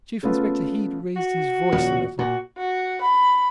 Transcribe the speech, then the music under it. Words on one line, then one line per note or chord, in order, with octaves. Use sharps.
Chief Inspector Heat raised his voice a little.
C#3 A3 B3 C#4 F4
F#4
D#1 F3
A#2 F#4
F#4
B5